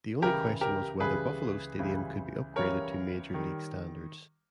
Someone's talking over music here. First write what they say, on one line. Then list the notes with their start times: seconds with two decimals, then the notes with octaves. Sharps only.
The only question was whether Buffalo Stadium could be upgraded to major-league standards.
0.22 C#2 C#3 E3 G3 G4 A#4
0.61 G4 A#4
1.00 C#2 C#3 E3 G3 G#4 B4
1.79 C#2 C#3 E3 G3
2.56 C#2 C#3 E3 G3 A#4 C#5
3.34 D#3 G3